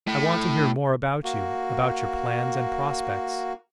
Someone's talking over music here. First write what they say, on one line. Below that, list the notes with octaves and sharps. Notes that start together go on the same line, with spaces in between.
I want to hear more about you--about your plans and prospects.
A2
A#3 F#4